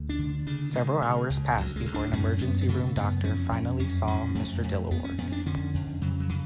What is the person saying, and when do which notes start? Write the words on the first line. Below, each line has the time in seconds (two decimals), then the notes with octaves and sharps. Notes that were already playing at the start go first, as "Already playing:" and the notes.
Several hours passed before an emergency room doctor finally saw Mr. Dilawar.
Already playing: D2
0.09 D4
0.19 D3
0.46 C#3 D4
0.74 C#3 G#3
1.02 C#3
1.30 C#2
1.57 D2 F#3
1.76 G#3
1.85 D2
1.94 D4
2.13 F#2 C#4
2.41 F#2 B3
2.61 B3
2.69 C#3 A3
2.96 F#2 B3
3.24 F2 C#4
3.52 F2
3.80 F#2 C#4
4.07 F#2 C#4
4.35 F2 A3
4.63 F2
4.91 F2 B3
5.04 C#4
5.18 F2 B3
5.32 D4
5.46 D3 C#4
5.74 F2
6.01 C#3 F#3
6.20 F#3
6.29 C#3